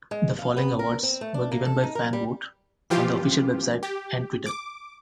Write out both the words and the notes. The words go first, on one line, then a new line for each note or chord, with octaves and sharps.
The following awards were given by fan vote on the official website and Twitter.
G#3
F5
B3
A#4
C4
A3
D4
A#3
A4
D#4
A#4
G3
E3 F3 F4 G4
G4
D6